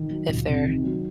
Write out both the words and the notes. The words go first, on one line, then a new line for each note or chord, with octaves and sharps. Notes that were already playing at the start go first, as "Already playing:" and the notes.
if they're
Already playing: D#3
F#3
C#2
C3
D#3
F#3